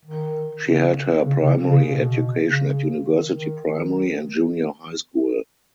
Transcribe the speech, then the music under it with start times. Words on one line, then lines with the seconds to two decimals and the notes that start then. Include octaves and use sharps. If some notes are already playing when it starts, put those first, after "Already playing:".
She had her primary education at University Primary and Junior High School.
0.05 D#3
0.65 C#3
1.25 C#3
1.41 C#3
1.70 C#3
1.85 B2
2.45 C#3
3.05 D#3
3.35 D#3
3.65 D#3